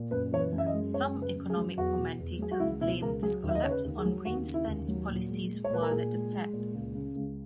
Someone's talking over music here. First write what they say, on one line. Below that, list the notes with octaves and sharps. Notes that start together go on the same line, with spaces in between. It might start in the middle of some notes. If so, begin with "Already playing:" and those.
Some economic commentators blamed this collapse on Greenspan's policies while at the Fed.
Already playing: A#2
F#2 B4
E3 C#5
B4
F#2
E5
D#5
G#3
F#2 C#5
C#3
B4
F#2
G#4
F#3
E2 F#4
B2
E2
F#3 G#4
F#4
C#2 E4
B2 E4
C#2 A#4
F#3 G#4
D#2
E5
D#5
C#3 C#5
B4
D#2
G#4
F#3
D#2 F#4
C#3
E4
D#2
F#3
A#2
G#3
G#3
C#5
A#2 B4
A#4
A#2 G#4
G#3
G#3
A#2
C#2
C#3
C#2